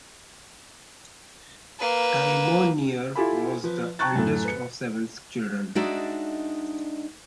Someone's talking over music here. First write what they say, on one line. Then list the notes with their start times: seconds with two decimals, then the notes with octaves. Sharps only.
Thimonnier was the eldest of seven children.
1.79 A#3 B4
3.16 E4 F4 G4 A4 G#5 B5
3.64 F3 B4
3.99 G5 A5 A#5 C#6 F#6 A6
4.16 F#2 A2 A4
4.45 B4 C#7
5.75 G#3 D4 D#4 F#4 D5 E5